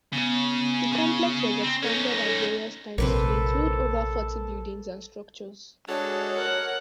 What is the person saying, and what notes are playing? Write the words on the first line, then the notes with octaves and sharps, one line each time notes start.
The complex was expanded at various times to include over forty buildings and structures.
C#3 B3
C#3
C4
C#4 D#4 A4
A#1 C3 A#3 A4 B4 C5
G#3 D4 F#4 G#4 A4 C#5
A#4 F#5